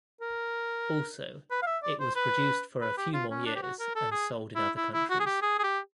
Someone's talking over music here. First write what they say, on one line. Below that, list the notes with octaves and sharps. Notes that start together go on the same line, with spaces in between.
Also, it was produced for a few more years and sold in other countries.
A#4
B4
F5
E5
D5
C5
B4
B4
G4
F4
C#4
D4
G4
F#4
A#4
A4
G#4
E4
E4
E4
F#4
G#4
G4
G#4
G#4
G4